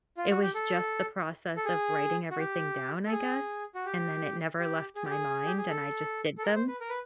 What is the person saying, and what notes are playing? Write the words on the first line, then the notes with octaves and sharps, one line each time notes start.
it was just the process of writing everything down, I guess, and then it never left my mind, and I just did them
F4
F#4
G4
A4
A4
G#4
F#4
G4
A4
G#4
F#4
G4
G4
G#4
G4
G#4
G4
G#4
A4
A4
A#4
C5
B4
A#4
B4